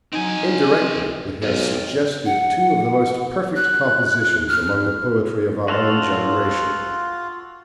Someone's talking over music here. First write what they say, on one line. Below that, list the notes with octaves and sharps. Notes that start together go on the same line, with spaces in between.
Indirectly it has suggested two of the most perfect compositions among the poetry of our own generation.
F#3 C4 D#4 G#5
B1 C3 F4
F#5
F#6
F6
F4 F#4 A4 F5